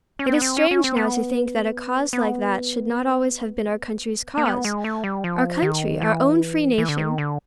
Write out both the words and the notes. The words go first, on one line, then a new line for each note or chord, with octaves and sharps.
It is strange now to think that a cause like that should not always have been our country's cause,--our country,--our own free nation!
C#4
C4
B3
C4
C#4
C#4
C4
B3
B3
A#3
B3
G#3
A3
G3
F3
D#3
E3
E3
D3
D#3
D3